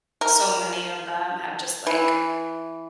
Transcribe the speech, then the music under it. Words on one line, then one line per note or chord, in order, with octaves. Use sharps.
so many of them have just, like
A#4
E3